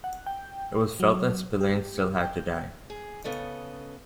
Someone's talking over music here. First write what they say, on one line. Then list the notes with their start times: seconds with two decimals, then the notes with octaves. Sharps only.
It was felt that Spillane still had to die.
0.04 F#5
0.26 G5
1.00 F#3
1.61 G4
2.21 G5
2.90 G#4
3.24 C#3 B3 A4 D#5